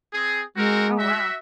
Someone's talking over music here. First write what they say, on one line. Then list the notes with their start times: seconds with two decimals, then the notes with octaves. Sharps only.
Oh wow.
0.14 C4 G#4
0.56 G#3 C4 F#4 A#4
0.98 F#4 E5